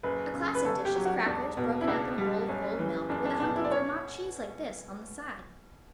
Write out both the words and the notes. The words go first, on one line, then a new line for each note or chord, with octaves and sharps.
A classic dish is crackers, broken up in a bowl of cold milk, with a hunk of Vermont cheese like this on the side.
F#1 B4
C#3
B4
G1 A4
G4
F#3
F#4
E1 D4
B2
E4
C#2 D4
G3
F#1 C#4
E3
F#1 D4
D4
B2 D4
E4
D5
C#5